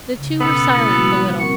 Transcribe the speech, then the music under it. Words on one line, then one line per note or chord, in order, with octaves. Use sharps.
The two were silent a little.
C#3
B2 B3 C#4 A4
A3 A#3 E4
F3 G3 F#4
C4 A#4 F#5 C#6